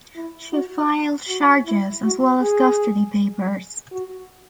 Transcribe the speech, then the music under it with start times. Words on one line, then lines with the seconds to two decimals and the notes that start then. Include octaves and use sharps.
She files charges, as well as custody papers.
0.16 E4
0.53 F#4
1.28 F#4
1.66 E4
2.03 F#4
2.41 G#4
3.92 F#4